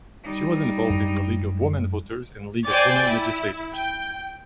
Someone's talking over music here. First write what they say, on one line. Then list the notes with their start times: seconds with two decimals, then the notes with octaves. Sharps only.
She was involved in the League of Women Voters and League of Women Legislators.
0.24 G3 D#4
0.90 F#2 G#3 D4
2.67 C5 D5 G5 G#5
3.05 E4
3.73 G5